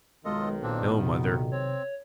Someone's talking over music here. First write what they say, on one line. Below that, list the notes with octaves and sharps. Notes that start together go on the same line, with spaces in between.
No, mother!
B1 D#3 G#3 F4 A4 D#5
A#2 A#3 C4 D4
C3 B3
C4 C#5